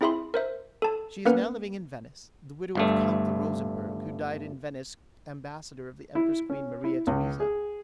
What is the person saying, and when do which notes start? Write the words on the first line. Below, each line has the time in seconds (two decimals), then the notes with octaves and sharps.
She is now living in Venice, the widow of Count de Rosenberg, who died in Venice ambassador of the Empress-Queen Maria Theresa.
0.01 C4 E4 G#4 E5 B5 C6
0.34 A#4 C5 E5
0.82 A4 A5
1.25 A#3 B3 C#4 A#4 B4 F#5
2.75 G1 G2 A3
6.15 E4
6.50 C#4
6.84 E4
7.07 C#2
7.40 G#4